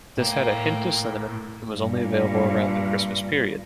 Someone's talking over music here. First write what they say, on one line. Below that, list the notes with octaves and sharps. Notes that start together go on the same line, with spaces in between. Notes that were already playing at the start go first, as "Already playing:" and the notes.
This had a hint of cinnamon, and was only available around the Christmas period.
A2 A#3 G5
G2 A#2